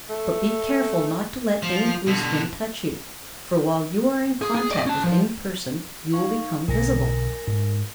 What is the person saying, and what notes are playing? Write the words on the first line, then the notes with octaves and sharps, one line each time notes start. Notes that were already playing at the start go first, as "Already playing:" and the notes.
But be careful not to let any Blueskin touch you, for while you are in contact with any person you will become visible.
A3
F3
B2 D3
G#4
G#4
D5 D#5
C#4 A5
F3
D#4 F5 C#6
B1 D3 A#4 G#5 A#6
G#2